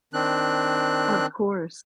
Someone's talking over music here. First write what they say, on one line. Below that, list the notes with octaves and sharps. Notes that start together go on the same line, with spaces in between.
Of course.
D#3 C4 D4 F#6